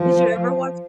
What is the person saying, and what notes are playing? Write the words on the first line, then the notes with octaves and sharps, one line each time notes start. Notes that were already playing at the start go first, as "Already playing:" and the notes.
Did you ever watch
Already playing: F3